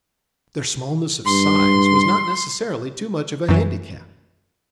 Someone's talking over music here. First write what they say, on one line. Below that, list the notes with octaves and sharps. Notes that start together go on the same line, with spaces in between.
Their smallness of size was not necessarily too much of a handicap.
G2 C6
F#2 E3